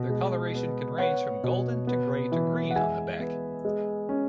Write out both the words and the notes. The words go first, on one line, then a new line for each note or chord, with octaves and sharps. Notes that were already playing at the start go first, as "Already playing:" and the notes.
Their coloration can range from golden to gray to green on the back.
Already playing: B2
G#3
B3
B3 C#5 F#5
B2
B3
E3
F#5
G#3 E5 G#5
B3
G#3
C#4